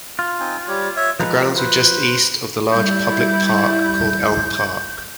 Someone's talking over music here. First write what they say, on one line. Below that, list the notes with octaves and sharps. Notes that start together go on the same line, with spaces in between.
The grounds were just east of the large public park called Elm Park.
F4
C4 D#4 G#5
G3 G4 C#5
C#5 E5
F3 G#3 B4 A#5
B4 C5
G3 E4 G6